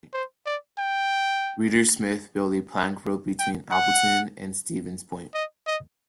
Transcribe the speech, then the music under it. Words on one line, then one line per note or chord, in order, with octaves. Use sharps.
Reeder Smith built the plank road between Appleton and Stevens Point.
C5
D5
G5
G5
F#5
D#5
D#5